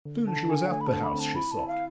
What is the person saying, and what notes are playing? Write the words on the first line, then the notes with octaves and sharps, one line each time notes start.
Soon she was at the house she sought.
D3
D3 A5
D3 G#5
F5
A3 G#5
B5
A5
D3
B5
C4
A5
E4 B5
A5
E4
F5